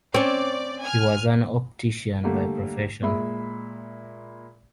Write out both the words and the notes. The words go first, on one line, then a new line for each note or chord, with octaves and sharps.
He was an optician by profession.
C4 C#4 D5
G#5 F6
D3 G3 A3 A#3
A#2 G#3 E5 B5